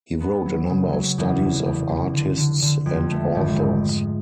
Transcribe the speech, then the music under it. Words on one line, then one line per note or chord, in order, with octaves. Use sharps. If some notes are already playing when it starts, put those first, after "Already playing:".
He wrote a number of studies of artists and authors.
B3
F#3
C#3
F#3
E2
F1
E2
F1
D3
D3
D3
F2
A3
G#1
G#2